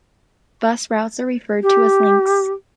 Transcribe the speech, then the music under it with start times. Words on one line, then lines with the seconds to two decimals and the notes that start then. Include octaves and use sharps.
Bus routes are referred to as Links.
1.62 G4